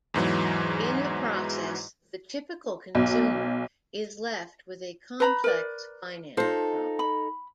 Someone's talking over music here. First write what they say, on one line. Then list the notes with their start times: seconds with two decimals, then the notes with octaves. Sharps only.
In the process, the typical consumer is left with a complex finance problem.
0.14 E2 G#2 E3 F#3
2.95 B1
5.20 B4 A#5 B5
5.44 A#4 B4 D5
6.37 D#4 F4 A4 C5
6.99 B5